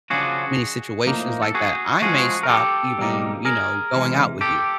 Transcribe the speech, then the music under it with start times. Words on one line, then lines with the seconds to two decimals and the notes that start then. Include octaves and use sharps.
many situations like that, I may stop even, you know, going out with you,
0.10 C#3 F3 A#3 D4 F#4 G#4
1.06 A2 F3 A#3 D#4
1.42 A4
1.55 F#4 G#4
2.02 F3 G#3 C#4 F#4 G#4
2.43 A#4
2.49 G4 A4
2.98 B2 G3 A#3 D#4
3.45 G#4 A#4
3.93 C3 E3 G#3
4.41 G4 A4